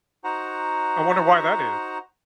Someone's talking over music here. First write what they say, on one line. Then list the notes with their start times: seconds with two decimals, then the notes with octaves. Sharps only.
I wonder why that is.
0.24 D#4 F#4 C5 F#5 A#5